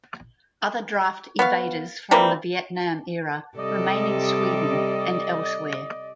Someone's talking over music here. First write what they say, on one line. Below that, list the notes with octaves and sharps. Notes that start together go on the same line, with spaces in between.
Other draft evaders from the Vietnam era remain in Sweden and elsewhere.
B3 C#5 F5
E3 G3 A#3 C4
C3 G3 A4 D5 D#5